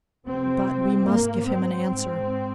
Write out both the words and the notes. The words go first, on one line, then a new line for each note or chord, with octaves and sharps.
"But we must give him an answer."
F2 C3 C4
G#2 A#3
C4
G#2 C4